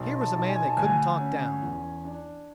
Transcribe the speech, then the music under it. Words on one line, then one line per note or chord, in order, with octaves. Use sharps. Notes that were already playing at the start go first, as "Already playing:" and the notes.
Here was a man they couldn't talk down.
Already playing: B1
A5
B1
G#5
A5
D2 G#5
C#4
E2
D4